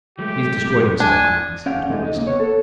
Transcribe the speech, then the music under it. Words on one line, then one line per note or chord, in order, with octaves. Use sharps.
He has destroyed himself by an accident, obviously.
F#3 G#3 A3 G4
D4 G#5
C#4 D5 F5 F#5
C3 G#3 A3 D#4
D#5
C#3 A#3
B3 C#5
A4